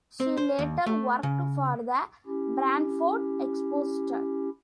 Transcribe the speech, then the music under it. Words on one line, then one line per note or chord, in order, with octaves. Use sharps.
She later worked for the "Brantford Expositor".
C4
C5
D#2
A3
C#3
C#4 E4 G4